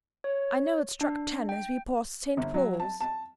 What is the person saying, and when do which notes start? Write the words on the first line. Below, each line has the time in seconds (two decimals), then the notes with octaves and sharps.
"I know it struck ten as we passed St. Paul's."
0.24 C#5
1.01 D4
1.49 G5
2.37 G1
2.54 F#3
2.80 A5
3.01 A5